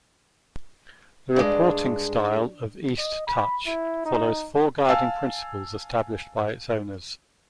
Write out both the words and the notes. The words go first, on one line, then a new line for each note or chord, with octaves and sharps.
The reporting style of "East Touch" follows four guiding principles established by its owners.
G2 G#3 D4
D#5
B5
E4
D#4
F5 G#5 A5 E6